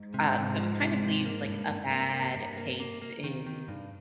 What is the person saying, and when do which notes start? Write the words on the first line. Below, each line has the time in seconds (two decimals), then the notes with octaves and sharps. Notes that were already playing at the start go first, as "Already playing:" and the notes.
Um, so, it kind of leaves, like, a bad taste in
Already playing: G#2
0.14 C3
0.36 C3
0.58 F3
0.81 C3
1.03 C3
1.25 A#3
1.47 G2
1.70 G2
1.91 A#3
2.13 A#3
2.36 G2
2.58 A#3
2.80 A#3
3.02 A#3
3.24 D#3
3.47 D#3
3.68 G2